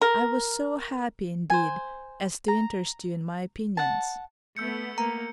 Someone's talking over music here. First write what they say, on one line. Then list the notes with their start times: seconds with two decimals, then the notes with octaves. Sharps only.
I was so happy indeed as to interest you in my opinions....
0.01 A#4
1.50 C5 G#5
2.48 A#5
3.77 F#5 A5
4.57 A3 B3 E6 G6 C#7
4.98 A#3 A#5